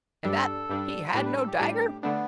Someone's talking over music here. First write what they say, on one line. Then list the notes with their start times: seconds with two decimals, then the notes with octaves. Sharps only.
And that he had no dagger?
0.24 G2 G3 D4 A4
0.70 G2 G3 D4
1.14 A2 G3 D4 B4
1.26 B4
1.36 A4
1.47 G4
1.58 A2 G3 D4
2.03 D3 A3 B3 D4